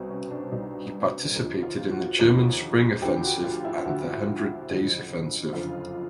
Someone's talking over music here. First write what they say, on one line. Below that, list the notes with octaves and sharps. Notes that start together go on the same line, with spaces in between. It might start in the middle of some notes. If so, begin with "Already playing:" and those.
He participated in the German spring offensive and the Hundred Days Offensive.
Already playing: C2 B2 C4
C#4
D4
C2 B2 D#4
D#2 D3 F3
F4
F#4
D#2 D3 F3
D2 D3 F3 G4
F#4
F4
E4
D2 D3 F3 F#4
F#1 F2 D3 F3
F#1 F2 D3 F3 F4